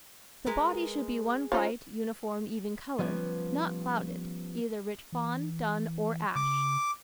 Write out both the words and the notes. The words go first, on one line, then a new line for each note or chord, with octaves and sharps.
The body should be one bright, uniform, even colour, not clouded, either rich fawn, dun, or ash.
G#3 A#4 B4
F3 C#4 D#4
F3 G3 B3 C#4
E3
C#3 D6